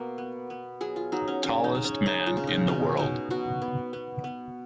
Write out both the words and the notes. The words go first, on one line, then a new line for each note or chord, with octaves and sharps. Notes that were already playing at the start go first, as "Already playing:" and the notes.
Tallest man in the world.
Already playing: B2 A#3
B3
B3
F#3 G#4
F4
F#3 D#4
C#4
C#3 C#4
D#4
C#3
C#4
G#3 D#4
F4
C#3
D#4
B2 C#4
B2 D#4
B2 F#4
B3
B3
B3